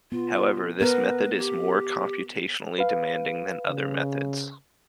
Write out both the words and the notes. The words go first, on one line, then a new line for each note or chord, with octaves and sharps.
However, this method is more computationally demanding than other methods.
B3 F4
B3 A#4 B4
G4
B4 F5
C#3